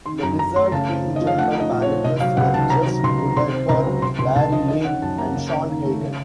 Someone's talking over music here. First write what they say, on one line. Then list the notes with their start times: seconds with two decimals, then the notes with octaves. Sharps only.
The Lizard King General managers were Jeff Brubaker, Larry Lane, and Shawn Hegan.
0.06 D#3 C6
0.23 F#2 A#5
0.39 F#2 A#5
0.56 A3 C6
0.72 C#3 A5
0.89 C4
1.05 D#2
1.16 D#5
1.21 F3
1.27 F5
1.38 A3 F#5
1.55 D#4
1.60 D#5
1.71 A#2
1.82 C#5
1.87 C4
2.04 C3 D#5
2.20 F#3 F5
2.37 C#2 F#5
2.54 D#3 A5
2.70 C3 A#5
2.86 F#3
3.03 C#2 C6
3.20 D#3
3.36 C3 C6
3.53 C4
3.69 C#2 A#5
3.86 F#3
4.02 C3 C6
4.19 C#2 C6
4.36 C#2 A5
4.52 F3 D#5
4.68 D#3 D#5
4.85 C#4 F#5
5.02 F#2 A5
5.18 A#3 A#5
5.35 C#3
5.52 C#4
5.68 D#2
5.84 A3
6.01 C#3